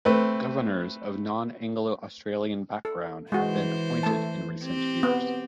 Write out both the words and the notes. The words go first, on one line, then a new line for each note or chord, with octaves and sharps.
Governors of non-Anglo-Australian background have been appointed in recent years.
A3 C4 B4
A4
E3 G#3 F#4 C5
A3 A5
C4 G4
B3